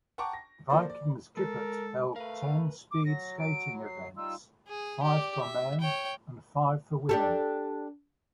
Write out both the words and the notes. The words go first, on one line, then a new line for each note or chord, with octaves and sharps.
Vikingskipet held ten speed skating events, five for men and five for women.
F#5 G5 A5 A#5 C#6 D6
A#6
F3 A#3 A4 C5 D5
D5
G#3 A4 A#4
A3 A#4 B4 F5
D6
F#3 A#6
D7
C7
G3 D#4 F4 E6
G#4
G4 D5
E5
C#5 G5
D4 G4 A4